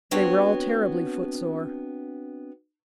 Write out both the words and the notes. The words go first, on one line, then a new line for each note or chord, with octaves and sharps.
They were all terribly footsore.
B3 C4 D4 F#4 C#5